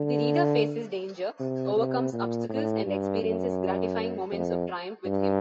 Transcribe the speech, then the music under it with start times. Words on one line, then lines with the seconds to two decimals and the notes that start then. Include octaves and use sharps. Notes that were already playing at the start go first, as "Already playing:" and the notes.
The reader faces danger, overcomes obstacles, and experiences gratifying moments of triumph with him.
Already playing: D3
1.40 C3
1.76 C3
2.13 A#2
2.49 A2
2.86 G2
3.23 F#2
4.32 F2
5.05 G2